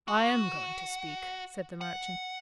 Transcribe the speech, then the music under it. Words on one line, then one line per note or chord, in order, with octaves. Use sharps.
"I am going to speak," said the merchant.
F#4
F#5